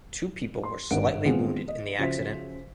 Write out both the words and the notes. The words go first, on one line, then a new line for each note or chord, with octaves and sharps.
Two people were slightly wounded in the accident.
C6
G#1 G2 A#4 F#5 D7
D#3 E3 G#3 B3 C4 F4
D#5
C#3 F3 F#4 C5 E5 B6